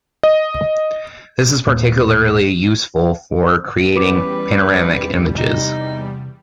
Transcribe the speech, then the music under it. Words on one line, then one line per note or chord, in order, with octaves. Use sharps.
This is particularly useful for creating panoramic images.
D#5
D#1 A#2
E2 G3 C#4 B4 D6
C3 D#4